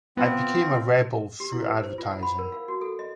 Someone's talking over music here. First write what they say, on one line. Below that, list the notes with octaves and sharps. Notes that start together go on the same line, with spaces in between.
I became a rebel through advertising.
F3 B3 C4
G4
E4
B4
C5
F4
F#5
B5
A#4
F5
F#4
A4
D#5